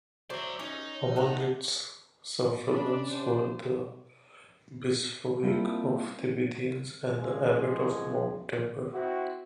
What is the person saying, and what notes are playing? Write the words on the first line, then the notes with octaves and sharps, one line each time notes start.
Among its suffragans were the Bishopric of Tiberias and the Abbot of Mount Tabor.
F#3 C5 D5 E5
C#4 D#4
B3 D4 A4
C#4 D4 D5 B5
C3 C5
G3 A#3 C4 E4 F4 A4
C#2 C#3 F3 G#3 G#4
C4 E4 F#4